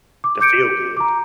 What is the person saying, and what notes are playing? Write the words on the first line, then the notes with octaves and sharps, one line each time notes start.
to feel good.
D6
D6 G6 C#7 D7
A#5 D6